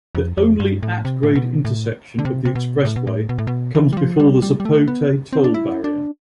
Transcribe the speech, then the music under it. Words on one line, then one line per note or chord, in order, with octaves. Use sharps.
The only at-grade intersection of the expressway comes before the Zapote toll barrier.
F2
F2
G2
A2
C3
A2
B2
A2
D3
C3
C3
B2
A2
B2
A2
B2
A2
B2
E3
G3
F3
G3
G3
G3
A3
B3
C4
D4
E4
D4